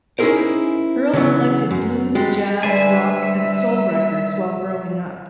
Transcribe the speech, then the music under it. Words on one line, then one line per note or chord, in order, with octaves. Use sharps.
Earl collected blues, jazz, rock and soul records while growing up.
C#4 D#4 E4 G#4 A#4 C5
C#3 E3 F#3 B3
F#2
G3 G#3 F#4
D3 G3 D4 B4 C5 E5 G#5